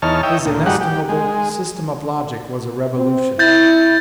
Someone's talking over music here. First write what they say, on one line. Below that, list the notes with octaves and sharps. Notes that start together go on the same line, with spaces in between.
His inestimable "System of Logic" was a revolution.
E2 D#4 C#5 A5 F6
C#5 D#5 E5 G5
D2 A#2
G2 G#3 D#4 F#4 G4 F#5
G4
G#3
C4
E4 G6 A6